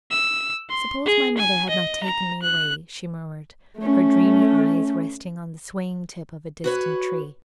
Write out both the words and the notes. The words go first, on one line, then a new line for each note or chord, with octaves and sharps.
"Suppose my mother had not taken me away?" she murmured, her dreamy eyes resting on the swaying tip of a distant tree.
E6
C6
G#4
G#5
D#5
A#5
F#6
A3 C#4
F#4 B4 C#5